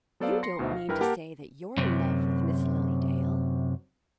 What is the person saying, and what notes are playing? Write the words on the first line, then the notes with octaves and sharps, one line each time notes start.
"You don't mean to say that you're in love with Miss Lily Dale?"
F#3 B3 A4 C5 D5 F5
C6 A#6 C7 C#7
D2 B2 D#4 C5 E5
F5
G2 E4 A#4 B4 G5 F6
A#3 G4 A#4 F#5 A5
F#2 C3